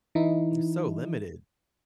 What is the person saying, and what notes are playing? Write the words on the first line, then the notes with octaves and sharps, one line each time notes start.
And so limited,
E3 D#4 E4